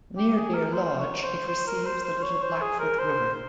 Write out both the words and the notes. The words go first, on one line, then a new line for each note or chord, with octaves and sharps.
Near Deer Lodge it receives the Little Blackfoot River.
G4
G#4
A#4
C5
C#5
C5
C5
A#4
C5
C5
C#5
C5
G#4
A#4
C5